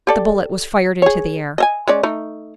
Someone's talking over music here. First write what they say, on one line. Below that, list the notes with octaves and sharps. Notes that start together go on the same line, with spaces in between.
The bullet was fired into the air.
G4 A4 D5
G#4 C#5
D#5 E5 G#5
G#3 C#4 D5
A3 D#4